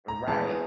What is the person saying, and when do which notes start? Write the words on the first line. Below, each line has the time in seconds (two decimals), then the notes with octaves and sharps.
Uh Right.
0.08 A#5
0.27 E3 G#3 B3 A5